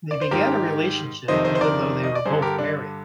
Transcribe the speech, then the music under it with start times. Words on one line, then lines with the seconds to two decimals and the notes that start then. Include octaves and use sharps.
They began a relationship, even though they were both married.
0.11 D5
0.21 C5
0.31 G#2 D#3 G4 A#4
1.28 F2 C3 D#3 C5 D#5
1.45 C5 D#5
1.55 C5
1.61 A#4 D5
2.03 D#5
2.15 D5
2.26 G2 D3 G#4 C5
2.42 G4 A#4
2.58 D4